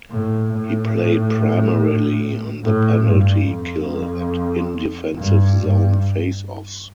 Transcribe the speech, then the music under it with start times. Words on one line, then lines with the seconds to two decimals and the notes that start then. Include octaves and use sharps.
He played primarily on the penalty kill and in defensive-zone faceoffs.
0.11 A2
0.54 A2
2.64 A2
3.07 G2
3.48 F2
5.17 G2
5.59 G2